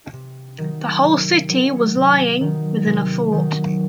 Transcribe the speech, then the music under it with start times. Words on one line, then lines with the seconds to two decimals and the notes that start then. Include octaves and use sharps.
The whole city was lying within a fort.
0.13 C3
0.58 D#3 F#3
1.04 C3
1.50 D#3 F#3
1.95 C3
2.41 D#3 F#3
2.86 C3
3.32 D#3 F#3